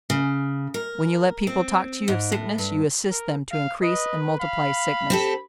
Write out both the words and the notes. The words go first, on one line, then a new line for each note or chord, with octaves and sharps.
When you let people talk to you of sickness, you assist them to increase and multiply sickness.
C#3
A#4
C4
G#2
A2
G2
A#4
F5
B4 D#5
F5 B5
C4 G4 A4